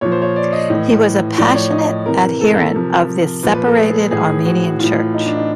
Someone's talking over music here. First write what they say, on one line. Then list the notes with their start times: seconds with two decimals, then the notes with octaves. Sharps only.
He was a passionate adherent of the separated Armenian Church.
0.01 A#2 F3 C#5
0.12 C5
0.22 C#5
0.36 D5
0.53 D#5
0.70 A2 E3
1.38 A2 F3 D5
1.55 C#5
1.72 D#5
2.06 C3 E3 A#4
2.41 A4
2.58 A#4
2.74 C3 F3
3.43 A#2 F3 B4
3.54 B4
3.66 A4
3.77 G#4
4.11 A2 E3 G#4
4.46 F#4
4.80 A2 E3 F4
5.14 D#4
5.26 D4
5.37 D#4